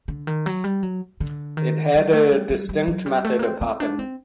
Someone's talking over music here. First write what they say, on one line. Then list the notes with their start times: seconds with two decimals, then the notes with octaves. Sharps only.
It had a distinct method of hopping.
0.08 D3
0.27 D#3
0.46 F#3
0.64 G3
0.83 F#3
1.20 D3
1.57 D#3
1.94 G3
2.13 A3
2.32 G3
2.50 G3
2.69 G3
2.88 F#3
3.06 G3
3.25 A3
3.39 A#3
3.43 C4
3.61 C4
3.80 D4
3.99 C4